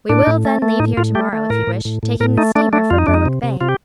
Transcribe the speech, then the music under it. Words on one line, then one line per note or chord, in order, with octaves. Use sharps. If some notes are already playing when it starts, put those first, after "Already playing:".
We Will, then, leave here to-morrow, if you wish, taking the steamer for Berwick Bay.
A2 D4
A2
A3
A3
A2 D#4
A2 F4
A3 G4
A3
A2 A#4
A2
A2
A2
A2 A#4
A3 D#4
A3 D4
A3 D4
F2 F4
D#4
F2 D4
D#4
C3
C3
C3 F4
G4